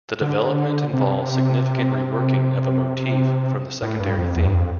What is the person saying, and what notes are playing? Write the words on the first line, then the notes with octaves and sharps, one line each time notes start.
The development involves significant re-working of a motif from the secondary theme.
D3
C3
A2
G2
F2
E2
G2
F2